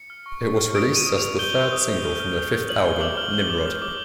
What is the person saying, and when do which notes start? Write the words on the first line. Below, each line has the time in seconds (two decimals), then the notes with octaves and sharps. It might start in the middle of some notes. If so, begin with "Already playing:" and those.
It was released as the third single from their fifth album, "Nimrod".
Already playing: C#7
0.10 F6
0.26 C#6
0.42 C#6
0.58 F6
0.75 D#6 D7
0.91 D#6 D#7
1.06 D#6
1.18 D#6 F7
1.39 G6 G7
1.56 G6
1.72 D#6
1.88 G6
2.04 F6
2.20 F6
2.36 F6
2.53 F6
2.69 F6 F#7
2.85 F6 G7
3.01 D6 F#7
3.17 F6 G7
3.33 G6 G7
3.50 D6
3.66 G6
3.82 D6